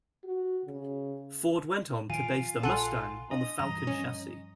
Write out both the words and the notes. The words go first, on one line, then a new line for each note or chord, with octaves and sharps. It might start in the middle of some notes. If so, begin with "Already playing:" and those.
Ford went on to base the Mustang on the Falcon chassis.
F#4
C#3
A2 D#3 F3 F4 G#5 D7
A#1 A4 F#5 G#5 C6 F#6
D4 D#5
G2 E3 F3 A#5
C#4